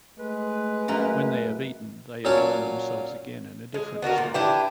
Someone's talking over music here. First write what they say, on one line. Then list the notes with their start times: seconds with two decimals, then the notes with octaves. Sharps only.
When they have eaten, they adorn themselves again in a different style.
0.19 G#3 A3 B4
0.88 F#2 A#3 A#4
2.25 A#2 F#3 C#4 F#4 G#5 A5
3.74 G#3
4.02 B3 D4 F#4 A#4
4.18 A#2
4.34 D4 E4 G4 B4